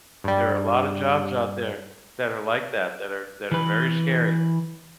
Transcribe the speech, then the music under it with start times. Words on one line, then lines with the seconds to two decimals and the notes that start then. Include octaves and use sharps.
There are a lotta jobs out there that are like that, that are that are very scary,
0.24 G2 G3
3.51 E3 B4